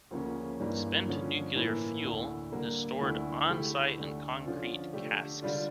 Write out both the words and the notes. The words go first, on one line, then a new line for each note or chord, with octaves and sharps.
Spent nuclear fuel is stored on-site in concrete casks.
D2 C#3 F3 A#3 C#4
G2 E3 G3 A#3 D4
D3 F3 C#4
A2 E3 A#3 E4
D2 D3 A3 E4
D3 G3 A#3
D2 D3 A3 E4
D3 A3 E4 G4
D2 D3 A3
D3 F3 C#4 F4
D3 A3 D4 G4
D3 G3 D4 F4